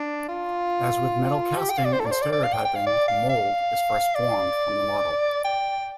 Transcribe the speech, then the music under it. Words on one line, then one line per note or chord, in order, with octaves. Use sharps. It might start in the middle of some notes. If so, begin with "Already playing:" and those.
As with metal casting and stereotyping, a mold is first formed from the model.
Already playing: D4
F4
G4
G5
F5
D5
C5
A4
D5
C5
D5
D5
F5
G5
G5
F5
D5
F5
F5
D5
G5